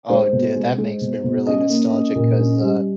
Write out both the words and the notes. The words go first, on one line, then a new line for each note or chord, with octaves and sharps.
Oh, dude, that makes me really nostalgic 'cause, uh,
G#3 C5
B2
G#3
G#3
B2
B2
C#4 D#5
A#3
C#4
A#2
C#4
G3